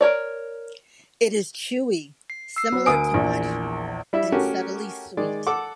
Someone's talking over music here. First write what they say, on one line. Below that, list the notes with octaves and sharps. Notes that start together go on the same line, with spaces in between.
It is chewy, similar to "mochi", and subtly sweet.
A#4 C#5 D5
C7
E6 C7
F#3 B3
D2 A#4 G#5 D#6 D7
A#1 E2
G3 E4 E5
A3 C#4 F#4 G4 A#4
D#3 G#3 D5
A4 F#5 D6